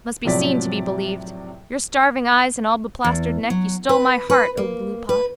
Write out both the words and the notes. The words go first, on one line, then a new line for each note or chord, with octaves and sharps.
Must be seen to be believed. Your starving eyes and allbeplastered neck you stole my heart, O gluepot.
A2 C3 F3 F#3 D5 B6
E2
F#3
B4
B4
A#3
B4